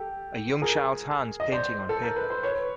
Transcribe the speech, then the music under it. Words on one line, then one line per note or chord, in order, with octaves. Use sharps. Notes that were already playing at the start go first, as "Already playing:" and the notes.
A young child 's hands painting on paper.
Already playing: G4 A4
G#4 A#4
D#5
C5 D5
A4
A#4
B4
C5
B4 C#5